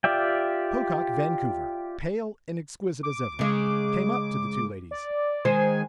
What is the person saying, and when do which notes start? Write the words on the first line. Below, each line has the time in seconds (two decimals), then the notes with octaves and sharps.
Pocock Vancouver, pale and exquisite as ever, came up to the two ladies.
0.04 F4 G4 D5 E5 G5
3.03 D6
3.39 C#3 G#3
4.91 D5
5.45 D#3 G#3 C5 G#5